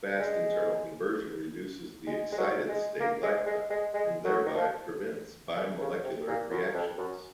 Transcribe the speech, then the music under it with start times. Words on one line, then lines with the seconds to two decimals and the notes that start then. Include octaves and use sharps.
Fast internal conversion reduces the excited state lifetime, and thereby prevents bimolecular reactions.
0.20 G#3
2.07 G#3
2.32 G#3
2.38 F#3
2.69 G#3
3.00 A#3
3.23 G#3
3.47 G#3
3.70 G#3
3.94 G#3
4.25 F#3
4.46 D#3
4.56 F3
5.81 C#3
6.04 C3
6.28 A#2
6.51 F#2
6.74 F2
6.98 F#2